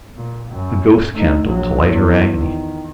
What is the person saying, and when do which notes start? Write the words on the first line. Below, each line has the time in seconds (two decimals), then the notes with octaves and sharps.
The ghostcandle to light her agony.
0.16 A#2
0.52 F#2
1.13 A3 D#4
1.43 A#1 F#3
1.86 E2
2.38 D#3